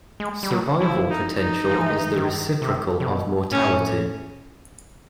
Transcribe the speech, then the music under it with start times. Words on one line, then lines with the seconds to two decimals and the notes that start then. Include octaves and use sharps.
Survival potential is the reciprocal of mortality.
0.20 G#3
0.43 G3
0.51 F#3
0.80 F3 E4
1.10 D#4
1.41 D#4
1.71 F3
1.80 E3
1.89 D#3
1.98 E3
2.16 D#3
2.62 C3
3.00 C3
3.07 B2
3.52 A2 C#4